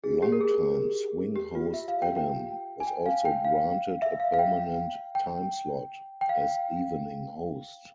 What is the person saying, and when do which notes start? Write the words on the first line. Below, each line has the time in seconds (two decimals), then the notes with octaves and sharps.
Longtime swing host Adam was also granted a permanent timeslot, as evening host.
0.04 G#4
0.22 G4
0.32 A#4
0.41 G#4
1.36 G4
1.55 F4
1.74 E5
1.88 F5
2.02 G5
2.16 G5
2.80 G#5
2.87 G5
3.06 F5
3.25 G5
3.45 F5
4.02 E5
4.20 F5
4.34 F5
4.39 G5
5.15 G5
6.21 G5
6.29 F5